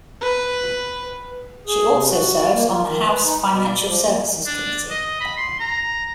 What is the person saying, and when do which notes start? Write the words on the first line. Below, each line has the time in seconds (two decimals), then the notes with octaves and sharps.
She also serves on the House Financial Services Committee.
0.21 B4
1.67 G#4
1.89 C3
2.09 F#4
2.51 A#3
2.67 F4
2.82 D#3
3.04 B4
3.24 D#4
3.44 B2
3.67 D5
3.82 F3
4.04 A#3
4.46 D4
4.90 D#5
5.20 B5
5.37 C6
5.60 A#5